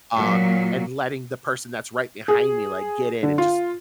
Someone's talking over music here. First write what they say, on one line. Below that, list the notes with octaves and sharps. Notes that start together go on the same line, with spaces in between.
Um, and letting the person that's right behind me like get in and just
A#2 F#3
G#4
D3
F4